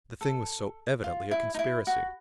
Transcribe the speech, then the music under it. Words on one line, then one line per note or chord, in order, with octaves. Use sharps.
The thing was so evidently a conspiracy.
A4
F4
E4
D#4
E4
F#4